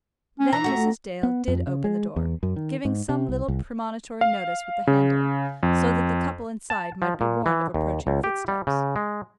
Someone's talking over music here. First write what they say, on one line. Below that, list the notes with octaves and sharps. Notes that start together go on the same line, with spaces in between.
Then Mrs. Dale did open the door, giving some little premonitory notice with the handle, so that the couple inside might be warned of approaching footsteps.
C#4
E3 A#5
F2 A3 F#4
B3
F2
C#3
G#3
E2
F#2
D#3
G#2
C3
C2
C2
F5
C#3
F2
A5
F3
A#2
E3
D#2
C#2
G4
G3
C#3
G#3